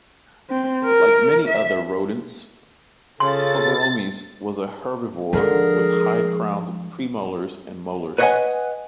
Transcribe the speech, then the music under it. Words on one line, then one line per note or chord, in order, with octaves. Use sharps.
Like many other rodents, "Phoberomys" was a herbivore with high-crowned premolars and molars.
C4
A#4
E5
C#3 F4 A4 C6 A6
D3 D#3 F3 G#3 F4 G#4 A#4
B4 C#5 D#5 E5 F#5 G#5